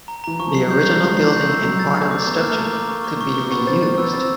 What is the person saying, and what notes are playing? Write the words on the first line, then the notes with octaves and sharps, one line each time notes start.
The original building and part of the structure could be reused.
A#5
E3 A#5
F3 C#6
F#3 C7
G3 G6
G3 C#6
G#3 C#6
C7
G6
E6
F#3 A#5
A6
A3 A6
D6
B3 A#5
A#3 F6
A3
A#5
A#3
D6
C#6
C#6
C#6
C#6
B3 C#6
C4 A6
C4 A6
B3 E6
C4 A6